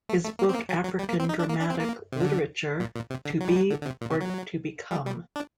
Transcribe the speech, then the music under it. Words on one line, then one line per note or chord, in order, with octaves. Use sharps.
His book African Dramatic Literature: To Be or to Become?
A3
A3
A#3
C4
A#3
F#3
F#3
G3
A#3
C4
D#4
D4
A#3
D4
C4
A#3
C3
D3
A#2
A#2
C3
D3
F#3
G3
F#3
D3
D3
C3
A#2
C3
F#3
G3
G3
D4